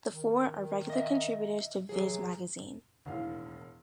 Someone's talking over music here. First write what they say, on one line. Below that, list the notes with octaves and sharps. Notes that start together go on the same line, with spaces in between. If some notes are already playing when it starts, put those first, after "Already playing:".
The four are regular contributors to "Viz" magazine.
D#3
D#5 E5
C3 E3 F#3 G#4
E1 D#2 A2 F5